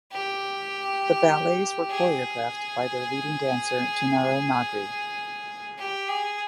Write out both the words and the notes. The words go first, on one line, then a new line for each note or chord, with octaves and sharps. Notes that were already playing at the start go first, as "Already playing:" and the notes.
The ballets were choreographed by their leading dancer, Gennaro Magri.
G4
G#4
G4
G#4